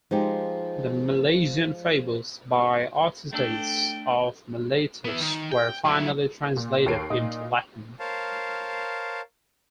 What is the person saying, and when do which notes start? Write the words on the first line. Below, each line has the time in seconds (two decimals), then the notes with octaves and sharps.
The "Milesian Fables" by Aristides of Miletus were finally translated into Latin.
0.11 F3 G#3 D#4 G4
3.33 A3 D4 A4 G5
5.05 B3 E4
5.20 D#3
5.52 G5
5.85 F#3 E4
6.56 A#2
6.86 D#2 A4 C#5 C7 D7
7.10 A#2 D#4 D#6
7.99 A#4 C5 C#5 F5 A5